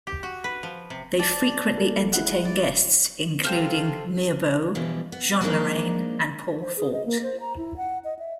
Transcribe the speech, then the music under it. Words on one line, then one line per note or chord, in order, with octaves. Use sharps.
They frequently entertained guests, including Mirbeau, Jean Lorrain, and Paul Fort.
G4
F#4
B4
F3
C3
D5 A5 D6
A#3 A4
G#3 E4 F#5
D5
C3 F3 C4 F4 A4 F6 G6 E7
B2 E3 F3 G3
B3
F3 G3 G#3 A#3 D4 D#4
C5
G#4
D#5
A#3
C5
A#5
E4
F#5
D#5
E5